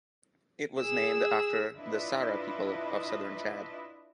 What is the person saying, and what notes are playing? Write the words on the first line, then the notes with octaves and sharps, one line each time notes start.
It was named after the Sara people of southern Chad.
G#4 E6
D4 E4 F4 B4 D#5 E5